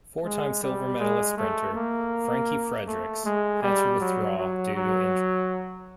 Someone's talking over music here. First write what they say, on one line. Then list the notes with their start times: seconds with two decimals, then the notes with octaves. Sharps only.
Four-time silver medalist sprinter Frankie Fredericks had to withdraw due to injury.
0.25 G#3
0.63 G3
1.00 G#3
1.37 A3
1.75 A#3
2.87 A3
3.25 G#3
3.62 G3
4.00 F#3
4.38 F#3
4.75 F#3